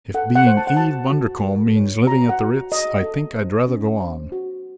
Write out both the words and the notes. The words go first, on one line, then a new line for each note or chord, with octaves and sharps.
If being Eve Bundercombe means living at the Ritz I think I'd rather go on.
A4 F#5
F#5
C5
A5
F#5
F#4 A5
F#4
A#4
C#5
F#4 A#5
F#5
F#4
F#4 D#5
A4
C5
C#4
C5
F#4